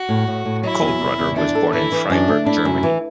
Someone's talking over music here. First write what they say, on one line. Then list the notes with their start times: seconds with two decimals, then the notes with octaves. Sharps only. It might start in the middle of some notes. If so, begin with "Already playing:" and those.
Koellreutter was born in Freiburg, Germany.
Already playing: F#4
0.09 A2
0.27 A2
0.45 A2
0.63 F#3 E4
0.82 E2
1.00 E2
1.19 E2
1.36 D4 E4
1.55 A4
1.73 E3 E4
1.92 E3
2.10 F#2 D4
2.28 A3
2.46 D4 E4
2.65 F#2
2.83 E3